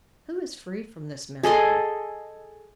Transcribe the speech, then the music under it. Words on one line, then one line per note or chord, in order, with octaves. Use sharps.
Who is free from this malady?
G#4 A4 D#5 C6